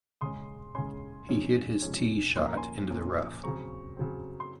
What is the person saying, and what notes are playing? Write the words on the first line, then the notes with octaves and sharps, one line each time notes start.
He hit his tee shot into the rough.
C#3 G#3 C#4 C6 D#6
C#3 G#3 C#4 G#5 C6
C3 F3 G#3 C#4
C3 F3 G#3 C#4
A#2 F3 A#3 C#4 C6
A#5
G#5 C6
A#2 F3 A#3 C#4
C#3 F#3 C4 A#5 C#6
C#3 F#3 C4
C6